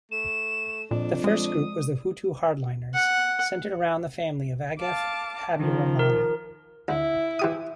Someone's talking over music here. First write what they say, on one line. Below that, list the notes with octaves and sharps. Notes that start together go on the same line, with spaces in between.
The first group was the Hutu hardliners, centred around the family of Agathe Habyarimana.
A3 E7
F2 A#2 D4
G#3 D#6
F#5
F5 A5 D6
D#3 F3 A#5
A#4
D2 E4
E3 G4 D#6